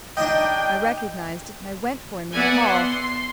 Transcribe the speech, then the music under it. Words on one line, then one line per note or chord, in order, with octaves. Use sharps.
I recognized it, and I went for him in the hall.
D4 D#4 D#5 G5
B3 D5 E5 F#5 G#5
C6